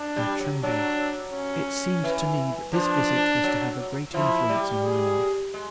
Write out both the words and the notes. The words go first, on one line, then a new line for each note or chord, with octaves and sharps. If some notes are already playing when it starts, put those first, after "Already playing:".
I trembled; it seemed to me that this visit was to have a great influence on my life.
Already playing: D4
G3
F#3
F#3 D4
C#4
E3
F3 D4
F#3
F3 E4
G3
G#4
G#3